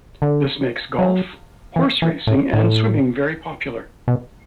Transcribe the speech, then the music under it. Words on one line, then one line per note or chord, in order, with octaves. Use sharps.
This makes golf, horse racing and swimming very popular.
D3
F#3
E3
E3
A2
A2
B2